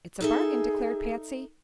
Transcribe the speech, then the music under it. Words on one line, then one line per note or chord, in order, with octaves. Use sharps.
"It's a bargain," declared Patsy.
D#4 G#4 A4 E5